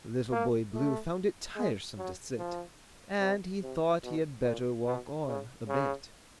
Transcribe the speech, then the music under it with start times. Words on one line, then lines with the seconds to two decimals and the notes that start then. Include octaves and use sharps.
Little Boy Blue found it tiresome to sit, And he thought he had better walk on a bit.
0.32 A#3
0.74 A3
1.56 G#3
1.98 F#3
2.38 F3
3.20 C3
3.62 C3
4.04 B2
4.44 A#2
4.86 B2
5.26 C#3
5.68 C#3